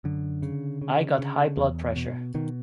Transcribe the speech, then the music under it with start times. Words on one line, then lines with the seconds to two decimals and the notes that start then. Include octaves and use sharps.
I got high blood pressure.
0.04 F#2 D3
0.42 C#3
0.82 C#3
1.19 C#3
1.57 E2
1.96 B2
2.34 B2 D#3